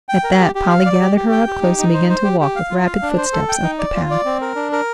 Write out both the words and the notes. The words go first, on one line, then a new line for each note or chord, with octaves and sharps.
At that Polly gathered her up close and began to walk with rapid footsteps up the path.
G5
A#4
G4
G4
F5
D5
G4
G4
G5
G4
D#4
D#4
C5
C5
G4
G4
F5
F4
F5
D4
C5
A4
G5
D#4
D5
F4
D5
C4
A#4
D4
A#4